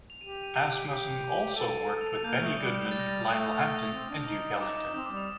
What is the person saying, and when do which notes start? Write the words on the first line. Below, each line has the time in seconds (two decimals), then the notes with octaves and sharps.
Asmussen also worked with Benny Goodman, Lionel Hampton, and Duke Ellington.
0.10 F7
0.20 G4 D#7
0.32 F7
0.43 D#7
0.54 D#7
0.65 D7
0.76 D#7
0.88 G4
1.56 A4 D#7
1.66 D7
1.75 D#7
2.01 F7
2.13 F7
2.24 A#3 G6
2.35 A3 F6
2.46 D#6
2.58 G3 D6
2.69 F6
2.80 G6
2.91 A6
3.00 A#6
3.09 A6
3.25 A3 G6
3.49 D#6
3.59 F6
3.93 C4
4.09 D4
4.27 D#4
4.60 D6
4.95 C4 D#6
5.06 D6
5.11 G3
5.17 D#6